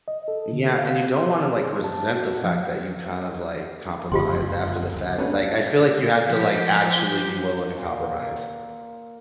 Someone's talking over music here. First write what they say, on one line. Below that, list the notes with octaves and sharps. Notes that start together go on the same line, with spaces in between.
Yeah, and you don't wanna, like, resent the fact that you kind of, like, compromised after the fact. Like, I feel like you have to, like, actually be willing to compromise.
D#5
A4
D3
F5
C6
G#4
A5
F#4
F3
F#1 D2 F4 G4 C6
A#3 C#4 D4 F#4 A4 B4
F3 G4
A#2